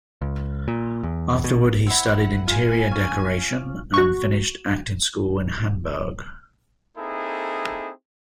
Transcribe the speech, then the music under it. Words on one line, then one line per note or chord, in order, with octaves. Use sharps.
Afterward, he studied interior decoration and finished acting school in Hamburg.
C#2
A#2
E2
B2
C4 E4 F#5
F4 G#5
C#4
F#4 C#6
A#3 C4 D#4 E4 G#4 A4